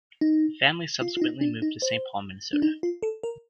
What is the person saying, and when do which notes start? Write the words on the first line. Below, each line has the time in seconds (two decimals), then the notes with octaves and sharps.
The family subsequently moved to Saint Paul, Minnesota.
0.21 D#4
1.02 F4
1.17 F4
1.22 D#4
1.41 D4
1.62 D#4
1.82 C5
2.53 D4
2.62 D#4
2.83 F4
3.03 A4
3.23 A#4